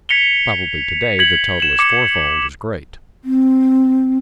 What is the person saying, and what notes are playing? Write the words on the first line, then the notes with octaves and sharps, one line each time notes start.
Probably to-day the total is four-fold as great.
G#6 B6 C#7 F7 G7
G#6 B6 F#7
E7 F#7
D6 C#7
C4